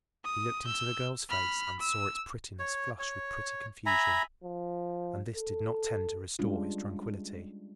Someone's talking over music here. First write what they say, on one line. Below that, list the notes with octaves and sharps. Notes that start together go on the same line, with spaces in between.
He looked into the girl's face and saw its prettiness flush with pretty confusion, and this did not tend to restore his tranquillity.
D#6
E6 G6
B5 F6
E6
C#5
C#5
E5 G#5 A#5 B5
F3
A4
G3 G#3 C#4 D4 F4